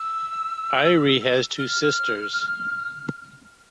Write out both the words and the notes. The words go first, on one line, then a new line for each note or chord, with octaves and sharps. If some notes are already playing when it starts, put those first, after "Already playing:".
Irie has two sisters.
Already playing: E6
F6